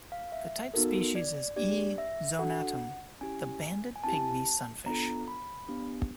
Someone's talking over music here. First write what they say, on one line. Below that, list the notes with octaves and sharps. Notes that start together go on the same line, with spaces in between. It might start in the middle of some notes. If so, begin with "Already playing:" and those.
The type species is "E. zonatum," the banded pygmy sunfish.
F5
E5
B3 D#4 F#4 A4 A#4
D5
A#3 D4 G4 D5
E5
D4 F#4 A4 F#5
C#4 E4 G4 G#5
G#5
C4 E4 G4 A5
B3 D4 F4 A4 A#5
B5
B3 D4 G4